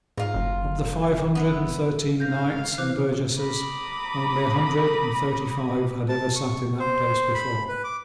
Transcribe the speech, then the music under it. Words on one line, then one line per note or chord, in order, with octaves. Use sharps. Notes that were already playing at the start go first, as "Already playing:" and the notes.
Of the five hundred and thirteen knights and burgesses only a hundred and thirty-five had ever sate in that place before.
G#2 F4 A#4
F#1
B3 E4
G#2 F5 G6 A#6
E3 C5 D6 F#6
A#5 B5 D6 D#6
A5
C#6
C5
B5
B4
D6